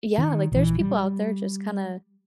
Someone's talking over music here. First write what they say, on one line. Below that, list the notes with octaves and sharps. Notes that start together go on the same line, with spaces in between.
Yeah, like, "There's people out there just kinda
D#3
A#1 E3
G3